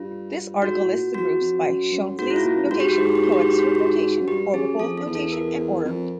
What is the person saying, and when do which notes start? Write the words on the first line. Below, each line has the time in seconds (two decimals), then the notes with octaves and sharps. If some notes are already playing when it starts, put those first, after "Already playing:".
This article lists the groups by Schoenflies notation, Coxeter notation, orbifold notation, and order.
Already playing: G2 F4
0.62 G#2 F#4
0.80 A2
0.97 A#2
1.14 E2 F#4
1.40 F2
1.67 F#2
1.92 F#2
2.19 G#2 F#4
2.30 E4
2.36 F4
2.45 A#2
2.63 G2
2.71 G#2 F#4
2.80 G4
2.88 F#4
2.97 G#2 G4
3.06 F#4
3.15 G4
3.24 F#4
3.32 G4
3.42 F#4
3.51 G4
3.59 F#4
3.75 F#4
4.20 F#2
4.28 G2 G4
4.53 F#2 G#4
4.79 F2 A4
4.98 A4
5.06 E2
5.15 A4
5.32 A#4
5.85 F2